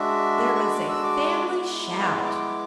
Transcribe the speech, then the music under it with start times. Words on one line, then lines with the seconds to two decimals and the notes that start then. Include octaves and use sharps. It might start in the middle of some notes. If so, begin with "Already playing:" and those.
There was a family shout.
Already playing: G#3 D4 F#4 E5
0.55 C#6
0.60 B5
0.74 D6
0.89 E6
1.03 D6
1.47 G#3 B3 E4
1.91 D6
2.02 D6
2.13 D6
2.24 D6
2.35 D6